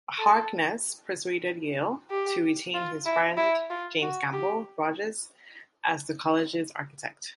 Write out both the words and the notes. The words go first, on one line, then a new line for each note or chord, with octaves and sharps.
Harkness persuaded Yale to retain his friend James Gamble Rogers as the colleges' architect.
A4
G4
F4
E4
E4
F4
F#4
G4